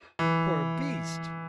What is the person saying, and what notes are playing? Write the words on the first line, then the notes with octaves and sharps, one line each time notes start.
"Poor beast!"
E3